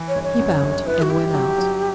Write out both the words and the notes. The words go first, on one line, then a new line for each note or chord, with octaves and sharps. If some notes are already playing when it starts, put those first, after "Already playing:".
He bowed and went out.
Already playing: E3
C#5
G1
C#5
F#2
G1
E4 B4
F#4
E4 G4
F#3
F#3